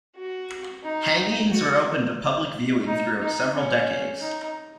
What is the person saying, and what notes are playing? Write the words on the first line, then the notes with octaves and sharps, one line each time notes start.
Hangings were open to public viewing throughout several decades.
F#4
D#4
F#4
D#4
D#4
C#4
D#4